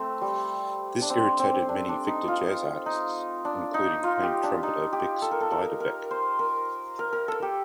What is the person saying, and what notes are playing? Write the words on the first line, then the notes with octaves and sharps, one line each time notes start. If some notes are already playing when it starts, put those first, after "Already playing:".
This irritated many Victor jazz artists, including famed trumpeter Bix Beiderbecke.
Already playing: A3 C4
G3
D4
C4
C4
D4
D4
D#4
F4
D#4
D4
D#4
F4
G4
D4
D#4
G4
A4
A#4
A4
A#4
A#4
C5
A#4
A#4
A#4
A4
G4